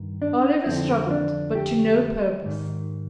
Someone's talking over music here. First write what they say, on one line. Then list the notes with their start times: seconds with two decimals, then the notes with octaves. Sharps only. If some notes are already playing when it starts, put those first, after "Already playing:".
Oliver struggled, but to no purpose.
Already playing: G2 D#3
0.22 D4
0.66 F2 D3 C4
1.10 D4
1.55 G4
2.45 G#2 D#3